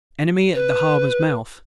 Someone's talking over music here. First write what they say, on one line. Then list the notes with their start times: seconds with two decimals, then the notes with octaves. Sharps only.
Enemy at the harbour's mouth.
0.54 B4